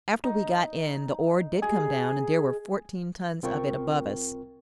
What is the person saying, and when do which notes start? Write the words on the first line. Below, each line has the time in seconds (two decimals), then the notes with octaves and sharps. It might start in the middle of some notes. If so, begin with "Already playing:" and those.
After we got in, the ore did come down and there were fourteen tons of it above us.
0.24 D#4
1.62 G#4
3.43 C2 C4 F4 A#4 G5 C#6